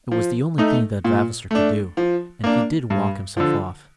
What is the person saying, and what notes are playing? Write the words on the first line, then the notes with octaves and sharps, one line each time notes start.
It was the only thing that Vavasor could do, and he did walk himself off.
F3
A3 D#4
A#2
A3 D4
F3
A#3 D4
G2
D3 F3